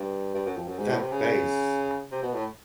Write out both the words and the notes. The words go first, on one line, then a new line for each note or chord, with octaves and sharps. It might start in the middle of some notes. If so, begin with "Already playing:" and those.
That bass!
Already playing: G2
G2
F#2
F2
F#2
G#2
A2
C3
C#3
C#3
C3
B2
A2